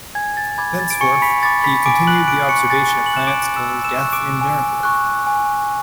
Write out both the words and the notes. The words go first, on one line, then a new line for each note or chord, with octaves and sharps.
Thenceforward, he continued the observation of planets till his death in Nuremberg.
G#5 G#6
A6
B5 D6 G#6
A6
D7
G#5 C#6 C#7
B5 B6
B5 D6 A6
B5 B6
G#5 D6 D7
F#6 F#7
D6 F#6 D7
C#6 C#7
G#5 A6
F#7
D6 F#6 E7
D6 D7
G#5 E6 E7
E6 E7
C#6 F#6
D6 D7
G#5
C#6 F#6
G#5